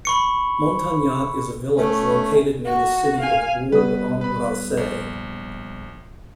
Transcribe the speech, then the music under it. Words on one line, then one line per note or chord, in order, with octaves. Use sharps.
Montagnat is a village located near the city of Bourg-en-Bresse.
B5 C#6 C#7
A3 C#4
F#4
F5 G#5
G3 B3 B4 D#6
B4 B5
A#1